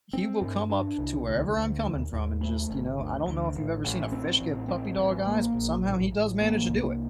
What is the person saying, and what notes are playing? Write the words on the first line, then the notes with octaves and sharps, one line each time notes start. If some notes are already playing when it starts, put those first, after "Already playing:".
he will come up to wherever I'm coming from and just, you know, I don't know if you've ever seen a fish give puppy dog eyes, but somehow he does manage to do it,
C4
G2
D4
C2
D2
D2
D#2
D#2
A3
G1
D2
D2
A1
A1
C4
A1
C4
A1
A#3
A#1
A1
A1
A#3
C2